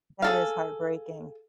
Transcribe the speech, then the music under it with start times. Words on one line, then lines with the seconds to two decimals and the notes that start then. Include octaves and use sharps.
That is heartbreaking.
0.22 G#4 A4 F5